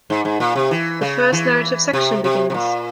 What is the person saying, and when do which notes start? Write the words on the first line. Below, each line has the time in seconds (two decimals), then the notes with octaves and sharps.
The first narrative section begins.
0.10 G#2
0.25 G#2
0.40 A#2
0.56 C3
0.71 E3
1.02 C#3
1.33 E3
1.93 C3
2.24 C3
2.50 C3
2.54 A#2